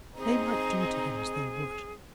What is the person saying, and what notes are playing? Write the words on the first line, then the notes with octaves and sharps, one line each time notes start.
They might do to him as they would.
C4 D#4 G#4